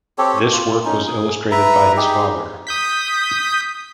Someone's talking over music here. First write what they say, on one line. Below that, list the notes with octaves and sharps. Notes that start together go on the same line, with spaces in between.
This work was illustrated by his father.
C4 G4 A4 C#5
F4
C#4 D#4
G#4
B4 E5 A#5
D#4 G4 G#4
D#6 G6 B6